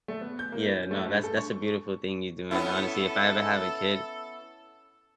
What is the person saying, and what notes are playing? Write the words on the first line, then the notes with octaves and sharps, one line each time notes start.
Yeah, no, that's that's a beautiful thing you're doing, honestly, if I ever have a kid,
A3
B3
G6
A#3
E4
C#4
A3
G2
A4
C#6
B3 C#4 E4 A4